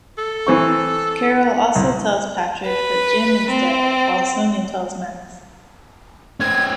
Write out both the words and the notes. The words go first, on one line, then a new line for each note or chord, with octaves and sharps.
Carol also tells Patrick that Jim is dead, while Sonia tells Max.
A4
E3 C4 C#6
C2
B4
C4
C#4 C5 G#6